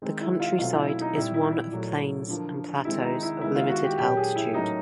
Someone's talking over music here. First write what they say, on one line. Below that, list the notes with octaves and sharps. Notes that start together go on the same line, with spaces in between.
The countryside is one of plains and plateaux of limited altitude.
D#3 G#3 C4
E4
F4
B2 F#3 A3 C4 F4
E4
E4
D#4
A#2 G3 C4 E4
E4
E4
A#2 F#3 A3
D3 F3 A#3
D#3 G#3 C4 E4
D#4
E4
D#3 G#3 B3 E4
F4
F#4
G4
A#2 F#3 A#3 C#4 G4
G#4
E4
A2 F#3 A#3 C#4 D#4